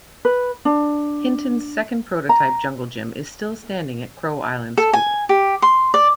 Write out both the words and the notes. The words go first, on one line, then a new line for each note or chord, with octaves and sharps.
Hinton's second prototype jungle gym is still standing at Crow Island School.
B4
D4
A#5
A4
G#5
G4
C6
D5